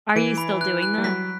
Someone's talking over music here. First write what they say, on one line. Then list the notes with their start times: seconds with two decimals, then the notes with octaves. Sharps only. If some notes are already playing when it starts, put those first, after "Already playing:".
Are you still doing that?
0.16 E3 D7
0.38 B5
0.61 F#6
0.83 F#6
0.98 G3
1.04 F#3 B6